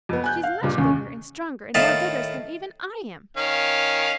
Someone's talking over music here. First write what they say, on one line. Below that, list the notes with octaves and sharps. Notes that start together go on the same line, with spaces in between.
She's much bigger and stronger and more vigorous than even I am.
F2 B3
G#5 F#6 G6
F5
G2 A#2 C#3
D#2 C#4
A2 D#3 E5 F5 A5
D#3 C#4 F5